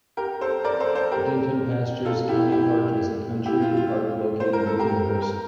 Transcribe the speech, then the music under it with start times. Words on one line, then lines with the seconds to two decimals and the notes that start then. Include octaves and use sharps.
Dinton Pastures Country Park is a country park located within Hurst.
0.17 G4 A#4
0.41 A4 C5
0.64 A#4 D5
0.80 A4 C5
0.95 A4 C5
1.11 G4 A#4
2.05 F4 A4
2.29 E4 G4
2.52 E4 G4
3.45 E4 G4
3.62 F4
3.77 F4
4.40 C5
4.53 A#4
4.66 A4
4.79 G4 A#4
5.22 A#4